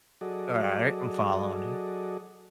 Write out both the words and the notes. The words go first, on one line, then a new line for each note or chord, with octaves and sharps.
All right, I'm following you.
F#3 F#4 G#4 A4 D5 D#5